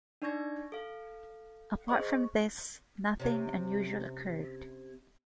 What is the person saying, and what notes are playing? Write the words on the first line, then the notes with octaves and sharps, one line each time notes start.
Apart from this, nothing unusual occurred.
D4 D#4 D5 C#6 G#6 A#6
A4 F5
G#4 C5 D#5 C#6
C3 C#4